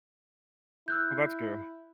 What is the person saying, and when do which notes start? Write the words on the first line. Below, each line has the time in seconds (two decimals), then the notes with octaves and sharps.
Oh, that's good.
0.88 E4 E6 F#6 G6